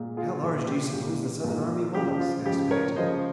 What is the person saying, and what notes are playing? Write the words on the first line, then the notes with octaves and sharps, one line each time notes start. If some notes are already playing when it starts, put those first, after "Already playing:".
"How large do you suppose the Southern army was?" asked Pennington.
Already playing: A#2 G#3
F4 G#4
A#2 G#3
G4
A#2 G#3 G4
A#2 G#3
C#3 F3 G#3 G4
F4
C#3 F3 G#3 G4
A#4 C#5
C#3 F3 G#3 C5 D#5